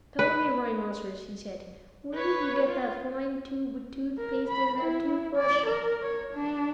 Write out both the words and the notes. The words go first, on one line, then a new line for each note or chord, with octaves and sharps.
"Tell me, Rhinoceros," he said, "where did you get that fine tube of tooth paste and that toothbrush?"
B4
B4 C#5
F4
A#4
B5
E4
D5
A#4
C#5
D4